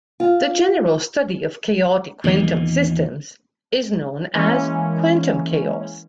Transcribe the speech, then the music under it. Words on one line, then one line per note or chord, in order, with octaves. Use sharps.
The general study of chaotic quantum systems is known as quantum chaos.
F4
E2 A#2 D#3
E3 G#3 A#3 C#4